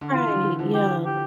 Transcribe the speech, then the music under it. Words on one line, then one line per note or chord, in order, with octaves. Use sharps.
Right, yeah.
D3
E3 F4
D3
E3
D3 F3
G4
G4